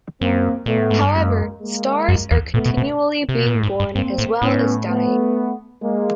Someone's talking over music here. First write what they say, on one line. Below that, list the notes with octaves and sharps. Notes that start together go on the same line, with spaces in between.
However, stars are continually being born as well as dying.
F#2 A#3 C4
A#2 A3 B3
A2
G#2
G2
F#2 G#3 A#3
G#3 A#3
F#2
E2
A#2 A3 B3
B2
B2
C3
B2
A#2
A2
G#2
G2
G2 A#3 C4
A2
A2 B3 C#4
G#2
A2
A3 B3
G#3 A#3